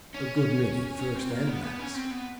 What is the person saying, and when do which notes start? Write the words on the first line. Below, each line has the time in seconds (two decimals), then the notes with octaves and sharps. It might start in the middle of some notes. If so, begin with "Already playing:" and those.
"A good many, first and last."
0.14 C#4
0.36 C#4
0.99 C#4
1.15 C4
1.31 A#3
1.47 B3
1.63 B3
1.79 C#4
1.95 C4
2.11 B3